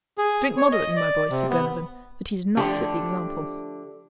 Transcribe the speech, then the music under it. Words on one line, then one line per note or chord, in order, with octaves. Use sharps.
"Drink moderately, my boy," said Glenarvan; but he did not set the example.
G#4
C#5
D#5
D5
C3
B3
D3 F3 A3 D4 G4